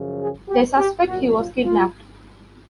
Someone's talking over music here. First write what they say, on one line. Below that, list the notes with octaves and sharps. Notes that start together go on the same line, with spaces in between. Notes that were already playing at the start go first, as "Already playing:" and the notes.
They suspect he was kidnapped.
Already playing: F#2 C#3 F3
G#4
G4
G4
C2 A#2 F#3 F#4
F4
F4